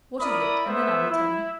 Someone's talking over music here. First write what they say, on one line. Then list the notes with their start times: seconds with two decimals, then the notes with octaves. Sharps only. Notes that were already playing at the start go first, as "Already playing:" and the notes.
"What is it, and then I will tell you?"
0.21 E4 A#4 D5 E5 B5 D#6
0.67 A3 B3 C5 E5
1.10 E4